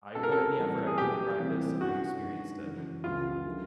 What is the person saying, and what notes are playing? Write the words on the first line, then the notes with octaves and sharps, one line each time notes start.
"I put in the effort, I put in the practice, and I experienced it."
B2 G#3 C#4 F4 A4
A#4
A4
A2 E3 G3 C4
G#4
B2 F#3 A3 C#4 G4
C3 E3 G3 C4 F4
G2 E3 A3 C#4 F4 F#4
G2 D#3 G#3 B3 D#4
F#2 C#3 E3
C#2 C#3 E3 G#3 F4
D#3 F#3 A3 D4